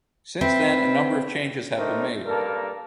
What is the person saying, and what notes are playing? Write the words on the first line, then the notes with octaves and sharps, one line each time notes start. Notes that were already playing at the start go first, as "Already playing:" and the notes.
Since then, a number of changes have been made.
C4 B4 E5 G5 B5
A3 C4 D4 D#4 A#4
G2 A#3 A4 A#4